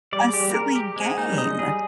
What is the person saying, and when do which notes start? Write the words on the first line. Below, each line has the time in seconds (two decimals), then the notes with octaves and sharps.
a silly game.
0.12 G3 D5
0.27 G#3
0.34 G4
0.40 G3
0.50 A#3
0.54 G#3 A#4
0.75 G4
0.96 G#3 C4
1.17 A#3 D#4
1.29 G3
1.38 G#3 D#5
1.59 G3 G#4